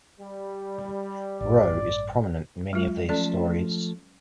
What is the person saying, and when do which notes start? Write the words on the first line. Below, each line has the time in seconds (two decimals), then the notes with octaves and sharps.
Roe is prominent in many of these stories.
0.20 G3
1.41 A1 G2 D5
2.73 F#3 G#3 F4
3.09 F3 A3 C#4 A4 D5